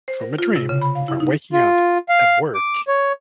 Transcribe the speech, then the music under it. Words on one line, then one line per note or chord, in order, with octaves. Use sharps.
from a dream where I'm waking up at work,
C5
A#4
F4
C3
C#3
B5
F5
E4
D#4
F4
F5
D6
C#5